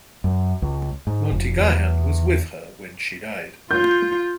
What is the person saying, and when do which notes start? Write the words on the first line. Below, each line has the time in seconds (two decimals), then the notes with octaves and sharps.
Montguyon was with her when she died.
0.24 F#2
0.62 C#2
1.07 G#2
1.32 F1
1.60 E2
3.71 F4 G6